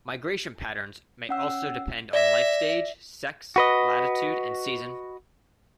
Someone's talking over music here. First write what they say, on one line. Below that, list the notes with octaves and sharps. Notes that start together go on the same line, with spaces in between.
Migration patterns may also depend on life stage, sex, latitude, and season.
C#4 F#5 E6
D5 E5 A#6
F#4 B4 D#5